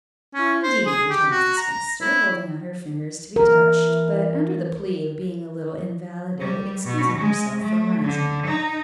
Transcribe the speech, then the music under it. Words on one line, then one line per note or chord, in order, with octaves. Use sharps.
"Ah, indeed," returns the spinster, holding out her fingers to be touched, but, under the plea of being a little invalided, excusing herself from rising.
C#4
C5
G#4
G4
F#4
A#5
E4
E3 A#4
G3
B2
G#3
A3
D3
D#4